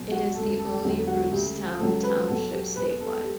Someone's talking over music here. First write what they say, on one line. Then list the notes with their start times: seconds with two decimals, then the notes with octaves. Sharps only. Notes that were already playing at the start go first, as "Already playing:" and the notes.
It is the only Rootstown Township statewide.
Already playing: B1 B2 F#3
0.12 F#4
0.35 E1 D2 C#3 A4
0.59 A4
0.83 E1 E2 D3 F#3 G4
1.07 F#4
1.31 D2 C#3 G3 G4
1.55 G4
1.79 C#2 C#3 F#3 A4
2.03 B4
2.27 E2 B2 F#3 A4
2.52 G4
2.75 E2 B2 G3 B4
3.00 A4
3.23 G4